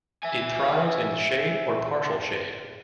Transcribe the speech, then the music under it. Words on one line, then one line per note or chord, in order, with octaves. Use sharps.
It thrives in shade or partial shade.
E5 G#5